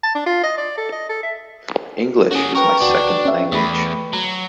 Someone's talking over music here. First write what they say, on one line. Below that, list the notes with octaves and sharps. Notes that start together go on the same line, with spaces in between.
English is my second language.
A5
D4
F4
D#5
D5
A4
D#5
A4
E5
C#4 F#4 G#4
A#4 B4 G5 C#6
D2 D4 F#4
C#4 E5
E2 A3 B5
F#3